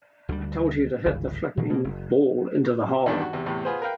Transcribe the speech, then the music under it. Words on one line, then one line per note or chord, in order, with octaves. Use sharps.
I told you to hit the flippin' ball into the hole!
D2 D3 F3 G3
G1 C#2 G#2 E3
A#2 D#3 E3 A3
B2 A#3
F#1
E2 G2 D#3 D4
F#4
E2 C3
E2 A2 C3
B3 F4 G#4 B4 C5
A#4 B4 F5 G5